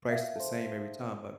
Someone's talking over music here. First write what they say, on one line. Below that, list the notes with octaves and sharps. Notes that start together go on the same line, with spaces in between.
prices the same every time. But,
E5 F5
A4 C5